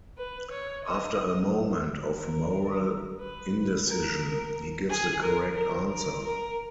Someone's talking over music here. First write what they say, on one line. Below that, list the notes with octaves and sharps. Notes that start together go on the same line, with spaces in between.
After a moment of moral indecision, he gives the correct answer.
B4
C#5
D#5
A#4
B4
A#4
G#4
A#4
A#4
A#4
A#4